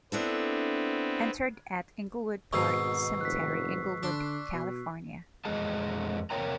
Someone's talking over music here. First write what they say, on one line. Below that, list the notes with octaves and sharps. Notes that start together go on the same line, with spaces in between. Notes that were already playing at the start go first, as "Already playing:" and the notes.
Interred at Inglewood Park Cemetery, Inglewood California.
B3 C4 D4 E4 A4
G#1 G#2 B2 D#3 C#6 E6 C7
F1 F#6 B6
D3 D4 C6
B2
F2 E3 G#3 G#4 D#5 A5
E2 C3 A#4 C#5 G5 A#5